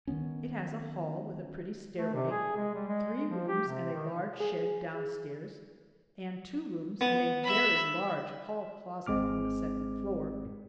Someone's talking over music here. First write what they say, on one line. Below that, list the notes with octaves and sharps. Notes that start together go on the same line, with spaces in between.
It has a hall with a pretty stairway, three rooms and a large shed downstairs, and two rooms and a very large hall closet on the second floor.
D#3 F3 B3 C#4
A3
C3
G#4
G#3
G3
G#3
F3
G4
C3
D#3
G#4
B3
E5 B5
G#1 G#3 C4 D6 F6